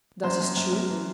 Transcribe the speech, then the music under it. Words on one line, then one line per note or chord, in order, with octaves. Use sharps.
"That is true."
F#2 C5
F#2
F#2
F#2
E3